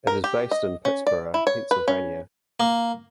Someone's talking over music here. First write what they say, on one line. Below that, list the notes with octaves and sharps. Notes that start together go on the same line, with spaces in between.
It is based in Pittsburgh, Pennsylvania.
A#4
G4
D#5
C#4
D5
E4
C#5
B4
C#4
A#3